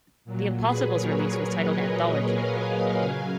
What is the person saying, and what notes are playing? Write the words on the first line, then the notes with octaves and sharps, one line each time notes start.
The Impossibles release was titled "Anthology".
A#2 F#3
G#4 B4
A#4 C#5
B4 D#5
A#4 C#5
F5 G#5
C#3 F#3